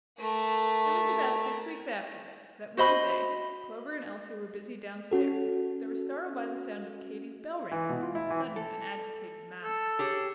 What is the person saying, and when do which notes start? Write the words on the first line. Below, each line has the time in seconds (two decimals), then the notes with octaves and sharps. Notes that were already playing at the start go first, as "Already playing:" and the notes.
It was about six weeks after this, that one day, Clover and Elsie were busy down stairs, they were startled by the sound of Katy's bell ringing in a sudden and agitated manner.
0.19 A3 A#4
2.77 F#4 C5 D#5 B5
5.11 C#4 F#4 A4
7.72 E3
7.89 B2
8.02 F4
8.15 E4
8.30 E3
8.56 A4
9.64 A4
9.99 G4 G#4 C#5